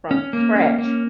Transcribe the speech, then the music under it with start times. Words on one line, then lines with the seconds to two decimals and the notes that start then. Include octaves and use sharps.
from scratch.
0.11 C#4
0.33 A#3
0.56 C#4
0.79 A#3